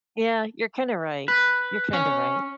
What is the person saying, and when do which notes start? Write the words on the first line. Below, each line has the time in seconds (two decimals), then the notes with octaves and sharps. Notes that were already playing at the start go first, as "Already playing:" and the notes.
Yeah, you're kinda right. You're kinda right.
1.28 B4
1.93 C#4